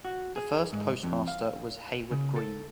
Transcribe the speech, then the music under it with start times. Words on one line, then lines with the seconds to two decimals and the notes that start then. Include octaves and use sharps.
The first postmaster was Hayward Green.
0.05 F#4
0.36 G#4
0.73 G#2
1.03 F2
1.28 F5
2.11 C#3
2.36 A4